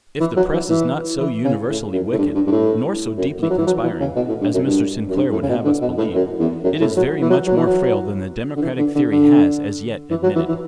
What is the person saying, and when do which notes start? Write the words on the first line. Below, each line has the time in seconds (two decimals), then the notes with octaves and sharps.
If the press is not so universally wicked, nor so deeply conspiring, as Mr. Sinclair would have us believe, it is very much more frail than the democratic theory has as yet admitted.
0.20 E3
0.37 F#3
0.54 E3
0.70 E3
1.19 E3
1.44 C#3
1.69 A2
1.93 F#2
2.13 A2
2.18 G2
2.35 G2
2.47 G2
2.52 A2
3.18 F#2
3.42 E3
3.50 F#3
3.58 E3
3.67 F#3
3.84 E3
4.00 C#3
4.16 B2
4.29 A2
4.41 G2
4.54 F#2
4.66 G2
5.10 F#2
5.16 G2
5.32 A2
5.43 C#3
5.49 B2
5.65 D3
5.81 B2
5.98 A2
6.15 F#2
6.39 E2
6.64 F#2
6.81 A2
6.97 F#3
7.21 E3
7.30 F#3
7.47 F#3
7.57 E3
7.67 F#3
8.56 D3
8.62 E3
8.78 D3
8.95 D3
9.12 D3
10.11 E3
10.23 F#3
10.36 E3
10.48 E3